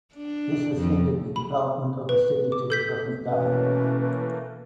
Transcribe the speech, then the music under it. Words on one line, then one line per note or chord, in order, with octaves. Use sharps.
This has hindered the development of the city to the present day.
D4
F2
B5
B4
D6
A4 G6 B6
B2 E3 A3 A#3 C#4 B4